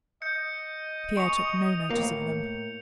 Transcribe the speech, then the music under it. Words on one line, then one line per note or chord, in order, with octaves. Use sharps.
Pierre took no notice of them.
D#5 G6 C#7
C#6 C#7 F7
A2 A#3